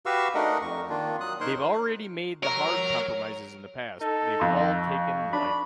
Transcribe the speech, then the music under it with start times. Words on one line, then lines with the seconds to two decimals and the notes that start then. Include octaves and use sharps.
They've already made the hard compromises in the past; they've all taken life.
0.06 F#4 G4 B4 F5 C#6 E6
0.35 A3 D4 D#4 A#4 D#5 F#5
0.62 F2 C#6
0.89 D#3 A#3 D4 F4
1.21 F#3 D#6 F#6
1.40 D#4 A#4 C5 C#5 C6 F#6
2.43 A#4 C#5 A#5
4.01 D#4 A4
4.40 F2 C6
4.78 C#6
5.33 D4 B5